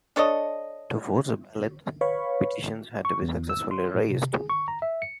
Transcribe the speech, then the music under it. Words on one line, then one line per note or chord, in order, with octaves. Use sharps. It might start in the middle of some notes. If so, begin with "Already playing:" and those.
To force a ballot, petitions had to be successfully raised.
D4 A4 C#5 D#5
B4 C#5 F5 B5 C#6
C#6
E2
E6
C6
A2
C3
G#4
C#6
A#5
E5
C#7